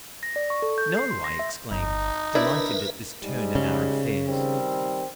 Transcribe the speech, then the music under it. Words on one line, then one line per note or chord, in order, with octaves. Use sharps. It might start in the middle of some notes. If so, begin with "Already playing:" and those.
"No!" I exclaimed, delighted at this turn in our affairs.
A#6
D5
C#6
A4
G6
C7
C6
A#6
E5
G1 D#4
D4 E4 A#4 B4 D5 E5
G#2 G3 G#3
C#3
D#3 G3 C4